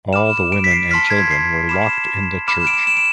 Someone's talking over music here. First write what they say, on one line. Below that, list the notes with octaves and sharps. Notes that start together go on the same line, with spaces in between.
All the women and children were locked in the church.
B5 D6 F6 E7
D7
B6
C7
A5 C6 F6 B6
G#6
C7
B5 D6 F6 E7
E7
B5 D6 F6 E7
D7
E7
D7